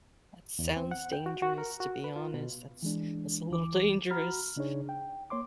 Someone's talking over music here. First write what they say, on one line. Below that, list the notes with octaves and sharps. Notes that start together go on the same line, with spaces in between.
That sounds dangerous, to be honest. That's that's a little dangerous
E2
C4
F#5
G5
F#4
F#4
A#4
F#4
B4
F4
B2
E3 G#3 D4
D2 E3 D6
F#4 A#5 B5 F6
C#3 D4 D#4 G#4 C#5
G5
A#3 C#5 C6 D6